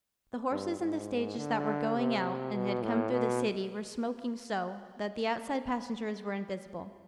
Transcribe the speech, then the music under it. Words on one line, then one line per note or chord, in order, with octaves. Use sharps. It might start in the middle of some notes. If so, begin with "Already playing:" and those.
The horses in the stages that were going out, and had come through the city, were smoking so, that the outside passengers were invisible.
G2
G#2
D3
C3
B2
A2
B2